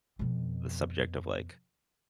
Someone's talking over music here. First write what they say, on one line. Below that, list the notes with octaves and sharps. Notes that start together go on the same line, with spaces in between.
the subject of, like,
F2 B2